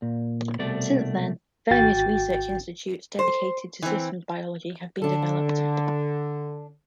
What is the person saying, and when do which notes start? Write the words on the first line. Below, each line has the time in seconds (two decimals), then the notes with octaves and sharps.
Since then, various research institutes dedicated to systems biology have been developed.
0.02 A#2
0.59 C2 B2 A3 D5
1.71 G#1 F#4 G5 A6
3.19 C5
3.82 E3 C4
5.02 D3 D4 A4